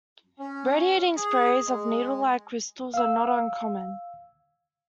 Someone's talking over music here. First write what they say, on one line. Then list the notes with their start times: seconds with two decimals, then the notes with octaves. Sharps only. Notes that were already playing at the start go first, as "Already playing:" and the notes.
Radiating sprays of needlelike crystals are not uncommon.
0.39 C#4
1.17 G#4
1.67 G#3
2.94 F5 E6